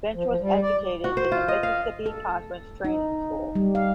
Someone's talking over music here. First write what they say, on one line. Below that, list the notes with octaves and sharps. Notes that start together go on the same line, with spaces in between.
Finch was educated in the Mississippi Conference Training School.
F3
F3
G3
D5
F#4
C5
F4
D#5
F5
A4
D#4
G3
F5